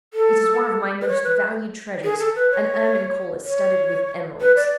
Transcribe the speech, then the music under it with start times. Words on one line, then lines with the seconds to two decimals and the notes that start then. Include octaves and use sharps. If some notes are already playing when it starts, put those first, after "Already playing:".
It is one of my most valued treasures--an ermine collar studded with emeralds.
0.13 A4
1.01 B4
1.08 C#5
1.24 B4
2.03 G#4
2.19 A4
2.35 B4
2.50 C#5
3.45 C#5
4.40 B4
4.56 D5